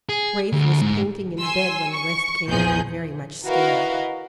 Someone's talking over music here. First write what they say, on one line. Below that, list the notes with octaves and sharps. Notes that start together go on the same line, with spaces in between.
Braith was painting in bed when West came in very much scared.
G#4
D2
G#2
G#5 C6 E6
C#6
A#1 E2 F3 G#4 G6
E4 F#4 A#4 B4 D#5 F5